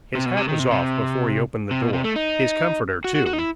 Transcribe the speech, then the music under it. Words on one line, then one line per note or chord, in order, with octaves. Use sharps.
His hat was off before he opened the door; his comforter too.
C3
B2
C3
D#3
C3
C3
C3
B2
C3
A3
D#4
F#4
F#4
F#4
D#4
E4